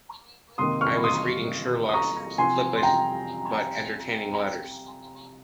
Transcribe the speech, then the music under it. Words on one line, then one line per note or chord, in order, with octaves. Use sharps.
I was reading Sherlock's flippant, but entertaining letters.
C3 D#3 A#3 D#4 C6 D#6
C#6 F6
C6 D#6
D#6
A#5 C#6
C3 F3 C4 G#5 C6
C6
G5 A#5